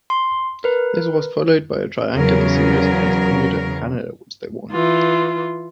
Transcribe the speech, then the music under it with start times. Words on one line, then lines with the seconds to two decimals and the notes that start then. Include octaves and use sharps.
This was followed by a triangular series against Bermuda and Canada, which they won.
0.10 C6
0.64 A#4 B4
2.13 E2 C#3 F#3 A#4
4.71 E3 F4